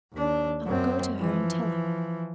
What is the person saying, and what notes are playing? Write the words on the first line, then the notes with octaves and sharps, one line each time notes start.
'I will go to her, and tell her.
D#2 D4
F#2 C4
E3 F3